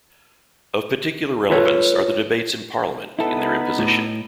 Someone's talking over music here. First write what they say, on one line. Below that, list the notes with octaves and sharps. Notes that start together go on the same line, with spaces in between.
Of particular relevance are the debates in Parliament in their imposition.
F4 A4 B4 C#5
B3 D#4 E4 A4 B4
A2